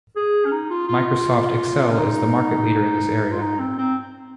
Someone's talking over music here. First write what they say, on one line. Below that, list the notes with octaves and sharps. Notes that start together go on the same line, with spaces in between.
Microsoft Excel is the market leader in this area.
G#4
C#4
D#4
F4
F4
F4
C#4
D#4
F4
D#4
C4
C4